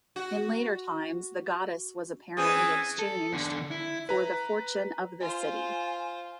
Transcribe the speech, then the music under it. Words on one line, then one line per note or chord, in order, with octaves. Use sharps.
In later times, the goddess was apparently exchanged for the Fortune of the City.
F#4
E3 C4 C#4 G#4
A4
E2 D3
E4
B4 A#5
F4 C5 G#5